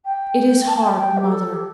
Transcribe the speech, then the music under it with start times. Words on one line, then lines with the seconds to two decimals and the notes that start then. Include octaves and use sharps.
It is hard, mother.'
0.04 G5
0.66 A5
0.77 A5
0.82 G5
0.97 G5
1.17 G4
1.29 A4
1.54 G4